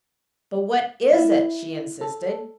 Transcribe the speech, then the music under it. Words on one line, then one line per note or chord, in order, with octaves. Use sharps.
"But what is it?" she insisted.
E4
A4